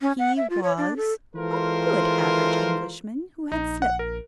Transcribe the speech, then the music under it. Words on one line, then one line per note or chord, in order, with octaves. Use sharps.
He was a good average Englishman, who had slipped.
C#4
F#5
E5
F4
C#5
D4
A4
E3 G#3 F4 A4 A#4 C5
A#1 D#4
F#5
A#4